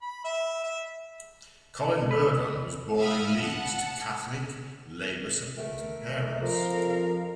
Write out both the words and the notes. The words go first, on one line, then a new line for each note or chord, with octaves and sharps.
Colin Burgon was born in Leeds to Catholic, Labour-supporting parents.
B5
E5
E5
B4
E5 F5 B5 D#6 F6
F#5 A5
A3 A#4
F2 F3 A#4 F5